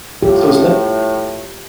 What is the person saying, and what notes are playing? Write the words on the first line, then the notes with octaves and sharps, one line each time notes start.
So, it was lit
A2 F4 G4